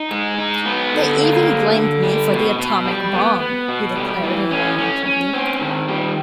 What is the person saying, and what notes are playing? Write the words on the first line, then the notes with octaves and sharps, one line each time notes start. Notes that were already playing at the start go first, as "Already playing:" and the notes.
"They even blamed me for the atomic bomb," he declared in one interview.
Already playing: D#4
G#3
D#4
B3
D3
A#3
D3
D3
G3
B2
B2
G3
B3
B3
B2
G3
E3
C#4
C#4
C#4
C4
D#3
G3